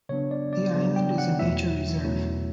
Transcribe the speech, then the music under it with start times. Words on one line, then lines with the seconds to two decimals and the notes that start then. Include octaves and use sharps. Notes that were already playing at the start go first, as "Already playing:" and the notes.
The island is a nature reserve.
0.09 C#3 F#3 B3 D4 C#5
0.31 D5
0.53 D5
0.74 C#3 F#3 B3 D4
0.96 G5
1.18 F#5
1.39 E2 B2 F#3 A3 E4 E5
2.05 E2 B2 F#3 A3 E4